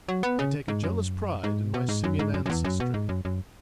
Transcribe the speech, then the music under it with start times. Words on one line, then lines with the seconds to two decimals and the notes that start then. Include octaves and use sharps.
I take a jealous pride in my Simian ancestry.
0.09 F#3
0.23 B3
0.39 C#3
0.68 G#2
0.83 F#2
1.44 G#2
1.74 B2
1.89 G#2
2.04 F#2
2.19 G#2
2.34 F#2
2.46 F#2
2.50 E2
2.64 F#2
2.80 B2
2.94 G#2
3.09 F#2
3.25 F#2